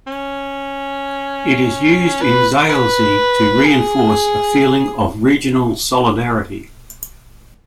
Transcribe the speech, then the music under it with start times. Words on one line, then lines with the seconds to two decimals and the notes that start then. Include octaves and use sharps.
It is used in Zaolzie to reinforce a feeling of regional solidarity.
0.07 C#4
2.22 B4
2.69 B4
3.65 G#4